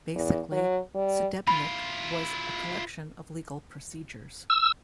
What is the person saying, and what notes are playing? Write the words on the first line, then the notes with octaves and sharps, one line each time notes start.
Basically, "Sudebnik" was a collection of legal procedures.
E2
F#3
G3
E4 F4 B5
E6